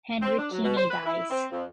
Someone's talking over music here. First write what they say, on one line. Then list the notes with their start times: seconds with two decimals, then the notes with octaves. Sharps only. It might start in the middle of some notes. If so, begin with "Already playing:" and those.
Henry Kinney dies.
0.21 C4
0.38 D4
0.51 F#3
0.63 B2
0.76 C5
0.89 B4
1.05 E4
1.30 C4
1.51 F2